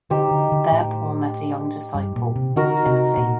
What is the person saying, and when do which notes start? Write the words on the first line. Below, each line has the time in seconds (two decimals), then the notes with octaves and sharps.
There Paul met a young disciple, Timothy.
0.10 D3 D#4 G4 C5
0.31 D3
0.52 D3
0.72 A2
1.94 G2
2.16 A#2
2.35 C3
2.56 D3 D#4 F#4 A#4
2.86 C3
3.17 A#2